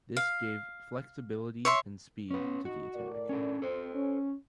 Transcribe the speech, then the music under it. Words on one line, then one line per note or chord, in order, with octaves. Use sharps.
This gave flexibility and speed to the attack.
F5
C#5 E5 C6
B3 C#4 B4
D#4 F#4
A2 A#4 D5
C#4 D4 A4
C4 A4 C5
C#4